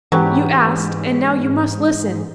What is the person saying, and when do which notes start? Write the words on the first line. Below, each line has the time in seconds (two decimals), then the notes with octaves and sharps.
"You asked--and now you must listen."
0.12 G#2 E3 F#3 B3 C#4 G4